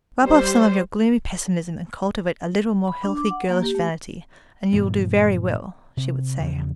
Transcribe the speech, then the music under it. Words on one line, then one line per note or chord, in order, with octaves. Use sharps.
"Rub off some of your gloomy pessimism and cultivate a little more healthy girlish vanity, and you will do very well," she would say.
G3 C5
B5
D4
D6
F#5
A#3
G4
A3
G2 A#2 E3 B3
C3
E2 C#3 F3